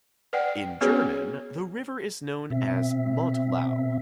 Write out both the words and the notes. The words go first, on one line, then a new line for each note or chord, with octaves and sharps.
In German the river is known as "Mottlau".
B4 D5 F#5 G5
B3 C#4 F#4 G#4 B4 C#5
B2 C4 E5